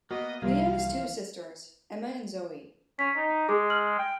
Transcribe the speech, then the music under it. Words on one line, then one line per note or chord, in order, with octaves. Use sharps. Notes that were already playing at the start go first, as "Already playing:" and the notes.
Leon has two sisters, Emma and Zoe.
A#3 B3 F#4 D#5
C2 E3 F3 G3 A#3 F5
C#4 B6
D#4
G#3 G#4
F6 F#7
G5